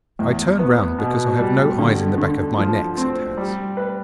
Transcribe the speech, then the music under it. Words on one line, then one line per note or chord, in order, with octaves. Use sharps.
'I turn round because I have no eyes in the back of my neck,' said Hans.
E2
B3
B2
G3
D3
D3
F3
C4
G3
B4